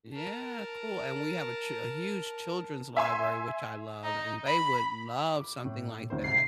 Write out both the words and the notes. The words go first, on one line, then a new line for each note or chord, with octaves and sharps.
Yeah, cool, and we have a ch a huge children's library, which I love and they would love something like that.
A#4 A5
E5 G#5 C6
D#4
B5
D6
A2
D2 D#3 C5
C2 C7